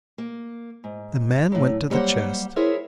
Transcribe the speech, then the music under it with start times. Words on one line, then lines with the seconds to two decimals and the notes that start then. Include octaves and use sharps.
The man went to the chest.
0.18 A#3
0.84 G#2
1.52 A2 F#3
1.90 F#3 G3 A#3 C5 F#5
2.56 E4 G#4 A#4 C5 C#5 E5